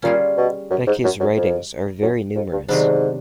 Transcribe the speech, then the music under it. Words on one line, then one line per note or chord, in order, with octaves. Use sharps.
Beke's writings are very numerous.
A#2 G3 A#3 C#4 F4 G#4
B2
F#2
G#2
F#2
F#2
F2
F#2
F2
G2
G#2 C3 D#3 F#3 B3 D4